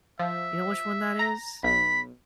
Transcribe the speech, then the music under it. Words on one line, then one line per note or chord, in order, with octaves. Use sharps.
You know which one that is?
F3 E5
A#5
B1 B5 B6